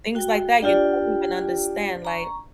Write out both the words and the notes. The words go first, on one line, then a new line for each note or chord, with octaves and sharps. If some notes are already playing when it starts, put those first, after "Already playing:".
Things like that, you don't even understand, like,
F#4 G5
D4 F4 G4 D5 G5
A#5 C#6